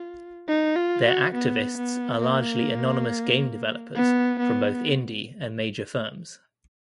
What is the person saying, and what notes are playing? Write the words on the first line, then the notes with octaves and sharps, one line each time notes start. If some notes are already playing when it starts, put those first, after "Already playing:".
Their activists are largely anonymous game developers from both indie and major firms.
Already playing: F4
D#4
F4
F#4
B3
B3
A#3
B3
B3